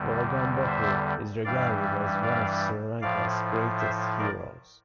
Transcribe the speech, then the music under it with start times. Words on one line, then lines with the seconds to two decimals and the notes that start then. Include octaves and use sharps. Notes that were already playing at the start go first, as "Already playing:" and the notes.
Valagambahu is regarded as one of Sri Lanka's greatest heroes.
Already playing: E2 D3 G3
0.67 C5 E5
1.44 G2 E3 G3 D5 F5
2.23 D5 F5
3.01 A2 F3 D5 F5
3.79 C5 E5
4.18 A#4 D5